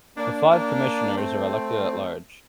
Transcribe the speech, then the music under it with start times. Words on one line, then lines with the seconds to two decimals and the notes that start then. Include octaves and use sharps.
The five commissioners are elected at large.
0.16 A#3 D4
0.49 A#3 D4
1.16 A3 C4